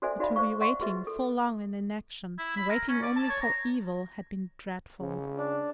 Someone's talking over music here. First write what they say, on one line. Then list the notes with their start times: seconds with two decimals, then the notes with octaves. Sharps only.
But to be waiting so long in inaction, and waiting only for evil, had been dreadful.
0.02 F#4 A4 C5 D5 E5 G#5
0.19 D#4 F#4 D5 E5 F5 B5
0.36 C5 D5 F5 C#6
0.61 D5 E5 F#5 C6 C#6
0.80 F4 F#4 G#4 B4 D#5 E5
1.07 A4
2.38 E4
2.57 B5
2.70 A#4
2.89 C#4
3.03 D5
3.16 A5
3.29 C#5
3.41 A#5
5.00 C#3
5.38 D4